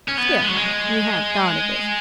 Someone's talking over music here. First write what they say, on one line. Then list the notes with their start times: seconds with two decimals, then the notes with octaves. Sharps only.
"Still, you have thought of it?"
0.08 C#4
0.18 B3
0.42 G#3
0.49 F#3
0.56 G#3